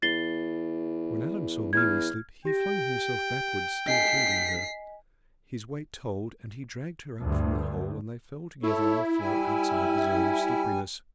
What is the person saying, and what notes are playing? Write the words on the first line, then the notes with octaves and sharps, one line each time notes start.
When Adam saw Mimi slip, he flung himself backward, still holding her. His weight told, and he dragged her up from the hole and they fell together on the floor outside the zone of slipperiness.
E2 A6 C7 G7
E2 F6 G#6
G4 G5 A#6
D#5 G#5 B6 C7
D2 G2
E4 A4 C#5
G3 G#5